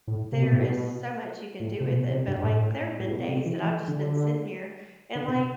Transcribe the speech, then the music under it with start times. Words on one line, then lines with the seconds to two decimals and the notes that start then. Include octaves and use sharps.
there is so much you can do with it, but, like, there have been days that I've just been sitting here, and, like,
0.07 A2
0.32 C3
0.42 B2
0.51 A2
0.61 B2
1.60 A2
1.80 C3
1.85 B2
2.10 C3
2.28 G2
2.44 A2
3.00 A2
3.11 B2
3.29 C3
3.46 E3
3.63 E3
3.88 D3
5.15 D3
5.28 B2
5.32 C3